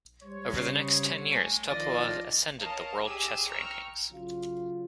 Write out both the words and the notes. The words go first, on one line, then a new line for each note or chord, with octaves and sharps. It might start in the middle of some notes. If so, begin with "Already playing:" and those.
Over the next ten years Topalov ascended the world chess rankings.
G3 C5 C#5
C#3
A3 G#5
D#3 F3 F4 D5 D#5
A#4 C#5 D#5 F5 A5
G4 G#4 G#5 D#6 E6
G5 A#5 C#6 E6 F6
C#3 F#3 F4